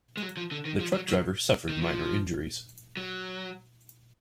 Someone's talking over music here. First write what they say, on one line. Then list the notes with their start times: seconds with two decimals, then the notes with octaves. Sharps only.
The truck driver suffered minor injuries.
0.17 G#3
0.22 F#3
0.37 F3
0.51 D3
0.65 D#3
0.80 F3
0.94 F#3
1.08 F#3
1.69 D#3
1.82 F3
2.97 F#3